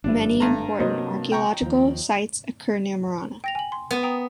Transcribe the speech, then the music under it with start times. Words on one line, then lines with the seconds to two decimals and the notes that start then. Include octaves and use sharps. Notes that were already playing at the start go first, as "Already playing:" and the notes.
Many important archaeological sites occur near Marana.
0.04 G#1 G2 F3 D4 E4
0.40 G#1 G2 A3 A#5
0.79 C3 F#3 A#3 B3 C5 D#5
1.32 G5 A#5 C#6
1.62 D#2 F3
3.44 G5 A#6 F7
3.55 G#5 F#7
3.72 C6
3.91 B3
4.03 G5 A#5 D#6